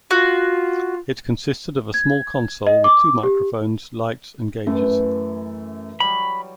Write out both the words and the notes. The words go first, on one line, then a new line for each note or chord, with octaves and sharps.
It consisted of a small console with two microphones, lights and gauges.
F4 F#4
G#6
D#5
D6
G4
F#2 E3 A3
F#3 G3 B5